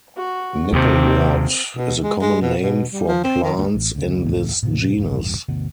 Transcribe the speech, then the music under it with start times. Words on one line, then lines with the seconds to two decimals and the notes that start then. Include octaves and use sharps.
Nipplewort is a common name for plants in this genus.
0.17 F#4
0.73 D#2 C3 C4
1.77 B2
2.04 G#3
2.22 G#3
2.42 B2
2.62 B2
2.92 G3
3.08 F3
3.24 C4
3.43 D#3
3.57 D2
3.75 A1
3.95 D2 C#3
4.24 C#2 A2 E3
4.63 A2 C3 F3
4.98 E1 A1 G2
5.49 G1 D2 B2